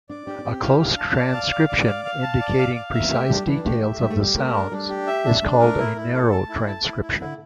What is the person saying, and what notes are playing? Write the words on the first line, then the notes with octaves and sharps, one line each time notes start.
A close transcription, indicating precise details of the sounds, is called a "narrow transcription".
D4 D5
D4 G4
D4
C4 G4
E4 F5
D4 F5
A5
D5
F5
D5
D5
F5
F5
A5
D5
F5
F5
A#3 E5
A3 G4
G3 D4
E3 D4
A3 G4
E5
G3 G4
A3
G3 G4
A3 A#4
D4
G3 D4
G4
E5
D4
A3 D4
A#3
A3 A#4
A3 E4
E4
A4
A5
E4
A5
E4
E4
D3 E4